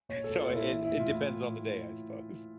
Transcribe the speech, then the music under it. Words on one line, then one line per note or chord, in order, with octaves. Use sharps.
so it it depends on the day, I suppose.
A#2 C#5
A4
A#2
F4
A#2
E4
E3 E4
A2 E4
F4
A2
E4